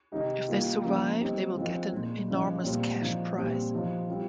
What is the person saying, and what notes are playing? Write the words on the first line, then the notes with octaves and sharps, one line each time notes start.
If they survive they will get an enormous cash prize.
C3 D#3 G#3 D#4 G4
D#3 G3 A#3 F4
C#3 F3 A#3
G3 C4 D#4 G4
F3 G#3 C4 F4
A#2 G#3 D#4
C#3 F3 G#3
A#2 G3 C4
F3 G#3 D#4
A#2 G3 C4 G4
F3 C4 D#4 G4
G3 C4 F4